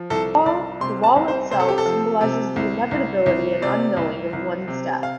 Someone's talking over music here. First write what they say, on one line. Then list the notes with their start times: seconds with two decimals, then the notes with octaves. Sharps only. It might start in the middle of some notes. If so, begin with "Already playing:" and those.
The Wall itself symbolises the inevitability and unknowing of one's death.
Already playing: F3
0.10 C2 A4
0.46 C2 D5
0.80 C3 C6
1.04 A5
1.16 C2
1.28 C5
1.51 C3 C5
1.60 A4
1.68 G4
1.78 A4
1.86 F3
2.21 C3
2.56 C2
2.91 C2
3.26 C2
3.62 C3 D5
3.97 C2
4.33 C2
4.68 C3
5.03 F5